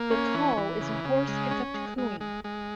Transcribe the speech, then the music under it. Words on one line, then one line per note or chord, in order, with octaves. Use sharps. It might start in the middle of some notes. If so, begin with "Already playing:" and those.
The call is a hoarse hiccuped cooing.
Already playing: A#3
C#4
E3
E3
C#3
C#3
G#3
C#4
G#3
G#3
G#3
G#3